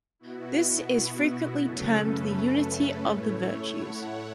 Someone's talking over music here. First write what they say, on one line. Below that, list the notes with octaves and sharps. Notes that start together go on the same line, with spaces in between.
This is frequently termed the Unity of the Virtues.
B2 B3 E4 F#4
F#2 C#3 A3 C#4 A4
B4
A2 A3 E4 C#5
C#5
F#5